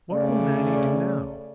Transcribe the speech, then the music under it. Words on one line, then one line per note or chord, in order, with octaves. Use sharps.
What will Nannie do now?
C#3 A3 D5